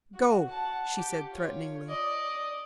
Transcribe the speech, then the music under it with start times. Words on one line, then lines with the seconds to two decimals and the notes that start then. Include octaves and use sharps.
"Go!" she said threateningly.
0.15 F#4
0.48 F#5 A5
0.96 G4
1.32 F4 C#5
1.87 D5 D#5